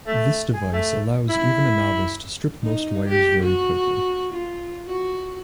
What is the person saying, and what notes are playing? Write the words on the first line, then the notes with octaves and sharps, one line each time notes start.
This device allows even a novice to strip most wires very quickly.
A3
G#4
A3
E4
D#4
G4
F#4
F4
F#4